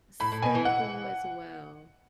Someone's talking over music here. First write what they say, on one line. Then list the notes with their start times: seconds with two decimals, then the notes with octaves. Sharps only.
Same for you as well.
0.20 A2 B5
0.32 A2
0.42 B2 G#5
0.55 E3
0.65 F#5